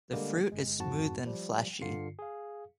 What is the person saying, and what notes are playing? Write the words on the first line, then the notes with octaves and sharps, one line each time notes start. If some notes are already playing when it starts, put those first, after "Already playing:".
The fruit is smooth and fleshy.
D3 G3 G#3 A#3
G1 G#3
F2 G#2 F#4 A5 C#6
F3 G3
G2 D3 F4 C7 C#7
G#4 F5